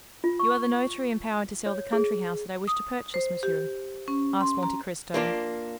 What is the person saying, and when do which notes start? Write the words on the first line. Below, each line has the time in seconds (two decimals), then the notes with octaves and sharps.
"You are the notary empowered to sell the country house that I wish to purchase, monsieur?" asked Monte Cristo.
0.24 F4
0.39 C#6
1.66 C#5
1.93 G#4
2.67 D#6
3.14 C5
3.43 G4
4.08 C#4
4.41 C6
4.63 A#5
5.14 A#3 D4 F4